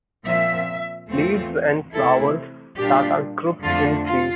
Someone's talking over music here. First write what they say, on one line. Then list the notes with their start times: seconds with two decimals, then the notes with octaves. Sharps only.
Leaves and flowers that are grouped in threes.
0.25 A#2 F3 C4 F4 E5
1.09 E2 E3 A3 C4 F4
1.94 C3 E3 A3 C4 E4 A4
2.78 A#2 G3 D4 F4 G4
3.63 F2 D3 A3 D4 F4
4.05 F4